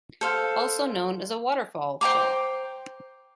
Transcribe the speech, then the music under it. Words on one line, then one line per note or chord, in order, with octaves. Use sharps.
Also known as a waterfall shell.
A4 C5 F5
C5 G5 A#5 D6